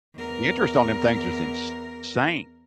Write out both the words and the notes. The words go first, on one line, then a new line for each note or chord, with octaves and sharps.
The interest on them things is ins sane.
E2 A#4